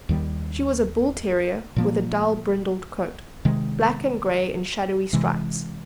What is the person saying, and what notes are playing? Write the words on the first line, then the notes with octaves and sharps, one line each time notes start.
She was a bull-terrier with a dull brindled coat--black and grey in shadowy stripes.
D#2 D#3 G3
A#2 F3 A#3
C3 D#3 G#3
C3 E3 G#3